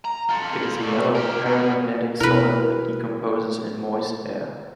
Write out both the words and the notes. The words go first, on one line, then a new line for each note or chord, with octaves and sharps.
It is a yellow paramagnetic solid that decomposes in moist air.
A#5
F4 A4
A#2 A3
G4 A#4
B2
B2 E4 A#4 B4